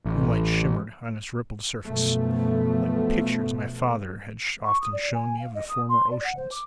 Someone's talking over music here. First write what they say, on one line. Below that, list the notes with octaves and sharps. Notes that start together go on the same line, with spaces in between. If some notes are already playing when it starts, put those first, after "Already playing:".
The moonlight shimmered on its rippled surface, like pictures my father had often shown me of the former oceans.
A1
F#2 B2 F3 A3 B3
C#6
D#6
D5
G#5
F5
D#5
D#6
C6
D5
F#5
C5
D6